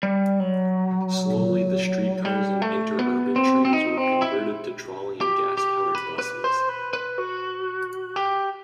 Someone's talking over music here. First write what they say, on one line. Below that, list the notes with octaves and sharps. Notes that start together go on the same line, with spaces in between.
Slowly the streetcars and interurban trams were converted to trolley and gas-powered buses.
G3
F#3
G3
A3
B3
C4
C4
D#4
C4
E4
G4
G4
B4
B4
C5
B4
B4
F#4
G4